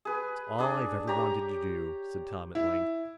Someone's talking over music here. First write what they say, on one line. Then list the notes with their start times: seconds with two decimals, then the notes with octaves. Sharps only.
"It's all I've ever wanted to do," said Tom at length.
0.05 G#4 B4
0.59 D4 G#4
1.07 G4 C#5 A#5
2.55 E4